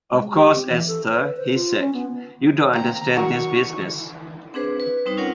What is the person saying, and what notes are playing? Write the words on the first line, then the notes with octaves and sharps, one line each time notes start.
"Of course, Esther," he said, "you don't understand this business?"
G#3
G4
C4
E3
A4
B4
C5
F4
C#4
B3
A#3 C4 A#5
F#3 F#4 A#4 C#6
C4 D4 G#4 B4 C5
B4
G3 C4 D#4 C5 D#6
C#4 F4 A#4 C#5 F#5